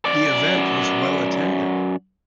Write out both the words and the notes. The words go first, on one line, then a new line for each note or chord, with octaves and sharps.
The event was well attended.
F#2 D5